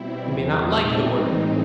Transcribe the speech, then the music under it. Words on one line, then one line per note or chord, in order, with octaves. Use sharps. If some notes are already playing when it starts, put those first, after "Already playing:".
You may not like the word.
Already playing: B2 G3 C4 E4
E2 C3 F3
A#2 G3 C4 D#4
A2 E3 G#3 C4 D#4